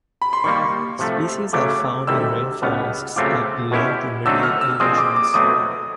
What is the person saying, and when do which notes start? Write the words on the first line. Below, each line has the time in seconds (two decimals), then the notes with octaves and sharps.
Species are found in rain forests at low to middle elevations.
0.22 B5
0.33 C6
0.44 D#3 G3 A#3 C#6
0.99 C3 F3 A3
1.53 C#3 F#3 A3 D6
2.07 D2 C3 D#3 G3 E6
2.62 C#2 B2 G3 B3 F6
3.16 C#3 F#3 A3 C4 F4 D6
3.71 B2 G#3 C#4 E4 G4
4.25 D3 F#3 A3 C4 D#4 E6
4.43 F6
4.61 E6
4.80 A#2 F3 G#3 C4 D#6
4.98 D6
5.16 D6
5.34 B2 F#3 A3 C4 D#6